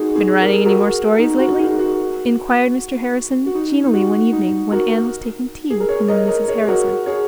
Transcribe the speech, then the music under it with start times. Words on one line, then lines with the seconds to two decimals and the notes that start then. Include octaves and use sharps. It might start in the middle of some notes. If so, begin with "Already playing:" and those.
"Been writing any more stories lately?" inquired Mr. Harrison genially one evening when Anne was taking tea with him and Mrs. Harrison.
Already playing: D#4 F#4 G#4
0.15 D#4 G#4
0.41 A#4
0.53 G#4
0.65 F#4 A#4
1.19 D#4
1.39 F#4
1.53 F#4
1.59 D#4 G#4
1.79 F#4
3.46 F#4
3.55 D#4
3.84 D#4
3.94 F#4
4.33 D#4
4.72 F#4 A#4
5.70 G#4
5.80 A#4
5.89 G#4 C#5
6.08 A#4 D#5
6.28 A#4 D#5
6.48 G#4 C#5
6.64 G#4
6.68 F#4 A#4
7.06 G#4 C#5